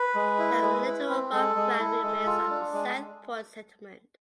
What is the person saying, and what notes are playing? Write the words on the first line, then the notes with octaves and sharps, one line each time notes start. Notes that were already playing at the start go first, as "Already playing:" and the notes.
There are little above ground remains of the South Point Settlement.
Already playing: B4
G#3
E4
G#3
E4
C4
G#3 A4
G#3
E4
G#3
F4
D4
G#3